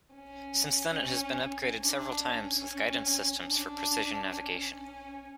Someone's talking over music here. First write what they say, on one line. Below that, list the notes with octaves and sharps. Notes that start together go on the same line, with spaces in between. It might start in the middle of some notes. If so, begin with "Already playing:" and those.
Since then, it has been upgraded several times with guidance systems for precision navigation.
C#4
D4
C#4
D4
C#4
C#4